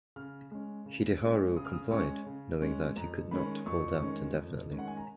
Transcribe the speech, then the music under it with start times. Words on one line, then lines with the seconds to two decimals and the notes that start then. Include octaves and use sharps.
Hideharu complied knowing that he could not hold out indefinitely.
0.16 C#3 F6
0.51 G#3 C#4
0.86 C#3
1.21 G#3 C#4
1.56 C#3 D#6
1.65 F6
1.73 D#6
1.91 G#3 C#4 C#6
2.26 C#3
2.62 G#3 C#4
2.96 F2 A#5
3.31 D#3 G#3 C#4 B5
3.66 F2 C#6
4.01 D#3 G#3 C#4
4.36 F2
4.71 D#3 G#3 C#4
4.79 F#5
4.88 G#5
4.97 A#5